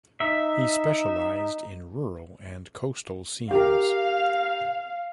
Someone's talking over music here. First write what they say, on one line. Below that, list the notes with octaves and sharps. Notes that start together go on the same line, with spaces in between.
He specialized in rural and coastal scenes.
D#4 E5
G4 A#4 F5